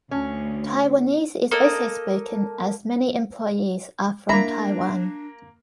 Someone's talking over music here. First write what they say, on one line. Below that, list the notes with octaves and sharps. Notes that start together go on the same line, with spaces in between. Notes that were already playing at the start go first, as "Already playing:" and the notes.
Taiwanese is also spoken as many employees are from Taiwan.
D2 C#4
A#3 A4 D#5
A#3 D4 E4 A#5 B6